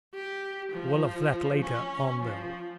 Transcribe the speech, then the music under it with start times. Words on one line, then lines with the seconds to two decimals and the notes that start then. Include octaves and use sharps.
Well, of that later on, though.
0.15 G4
0.72 F3
1.62 C#4
2.22 F3